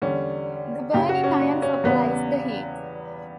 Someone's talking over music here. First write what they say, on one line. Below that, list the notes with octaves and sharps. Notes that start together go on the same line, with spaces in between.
The burning iron supplies the heat.
E2 D3 G3 C#4
F#2 C#3 F#3 G4
F#4
C#4
D4
C#4
E2 C#3 G3 B3